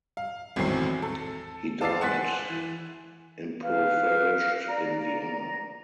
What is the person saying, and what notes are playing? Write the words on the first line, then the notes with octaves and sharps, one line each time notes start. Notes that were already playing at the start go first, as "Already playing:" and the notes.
He died impoverished in Vienna.
F5
G#1 E2 A2 F#3 C4 C7
A4
F5 A5 D6 E6 A6 C7
F#5 G#5 C6 F#6 A6 B6
E3
B4 F5
D5 A#5